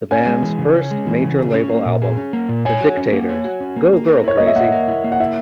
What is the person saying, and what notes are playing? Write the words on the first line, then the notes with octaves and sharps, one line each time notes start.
The band's first major-label album, The Dictators Go Girl Crazy!
C#4 G#5
G#3
E3
C#3
C#4
G#3
E3
C#3
G#4
C#4
A#3
A#2
G#4
C#4
A#3
A#2
C#5 G#5
F#4
C#4
A#3
C#5
F#4
C#4
A#3
A#3
A#4
E4 C#5
A#3 D#5
E5
A#3 F#5
A#4
E4
A#3
F#5
E4 E5